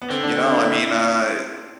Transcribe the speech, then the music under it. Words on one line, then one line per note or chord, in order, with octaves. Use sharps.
you know, I mean, uh,
B3
D3 C4
D4
C4
D4
E4